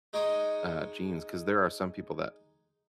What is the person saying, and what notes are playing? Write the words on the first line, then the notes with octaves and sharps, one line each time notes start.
uh, genes 'cause there are some people that
G#3 D#4 G5 C6 C#6 D#6